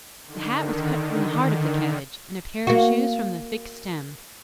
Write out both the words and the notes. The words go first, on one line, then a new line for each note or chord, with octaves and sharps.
The hat was cut from the heart of the cabbage, and a pair of shoes from the thick stem.
D3 D#3
A#3 F#4